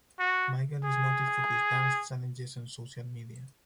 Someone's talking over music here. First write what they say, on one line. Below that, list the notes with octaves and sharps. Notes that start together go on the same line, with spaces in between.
Michael is noted for his dance challenges on social media.
F#4
G#4